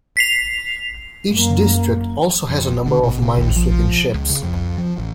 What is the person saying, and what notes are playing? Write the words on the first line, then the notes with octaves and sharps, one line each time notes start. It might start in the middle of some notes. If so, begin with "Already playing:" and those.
Each district also has a number of minesweeping ships.
B6 C7 F7
F#2 A#3
F2
D3
B2
C3
D#2
F3
C#2
C#3
F2
F3
A1